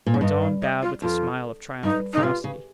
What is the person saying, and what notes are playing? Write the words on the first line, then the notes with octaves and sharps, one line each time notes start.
Mordaunt bowed with a smile of triumphant ferocity.
A#2
G#2
G2 D#5
F5
D#5
F4
F2 F4
G2 D#4
C#3 D#4
C3 F4
C#3